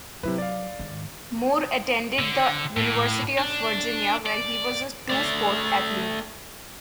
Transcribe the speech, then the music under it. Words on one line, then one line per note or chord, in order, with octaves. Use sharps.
Moore attended the University of Virginia, where he was a two-sport athlete.
C3 F#3 E4 B4
D5 F5
G#2 D#3
D3
A2
D4
D5
A3 D5